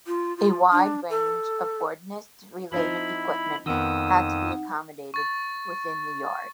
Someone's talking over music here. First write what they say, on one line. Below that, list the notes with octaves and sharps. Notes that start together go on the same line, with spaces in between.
A wide range of ordnance-related equipment had to be accommodated within the Yard.
F4
F4
D4
A4
F3 C4 D#4 E4 B5
F2 D#3 B3 D#4 F#5 D#6 E6
C#6 A6